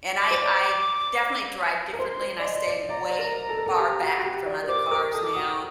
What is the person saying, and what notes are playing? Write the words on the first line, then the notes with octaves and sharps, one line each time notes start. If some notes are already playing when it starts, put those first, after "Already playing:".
And I I definitely drive differently and I stay way far back from other cars now.
D5 D6
C5
D5
A#4
C5 C6
C5
D5
D#5
D5
D5 A#5
C5
A#4
A4
A#4
A4
G4
F#4
F#4
G4
D5
A#4
C5 D6
A#4
A4 D#6
D6
F#4 D#6